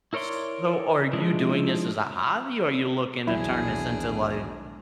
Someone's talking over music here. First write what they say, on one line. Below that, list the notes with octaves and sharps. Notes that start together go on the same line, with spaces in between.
So, are you doing this as a hobby, or are you looking to turn this into, like,
E4 A#4 C#5 D5 C6
F3 G#3 D4 E4
B1 E2 B2 D#3 F#3 D4 E4 G#4